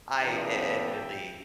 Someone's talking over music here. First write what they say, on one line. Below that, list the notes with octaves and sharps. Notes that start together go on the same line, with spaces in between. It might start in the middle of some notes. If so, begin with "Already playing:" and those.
I a admittedly,
E2 C#3 E3 B3 D4 E5 G5